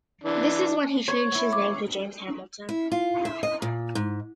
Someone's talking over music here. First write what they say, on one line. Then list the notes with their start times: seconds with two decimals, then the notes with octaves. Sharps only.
This is when he changed his name to James Hamilton.
0.24 E3 D4
1.08 C5 C#5
1.31 B3 E4
1.53 D6
2.69 E4
2.92 F4
3.25 E5
3.43 D#5
3.62 A#2
3.95 G#2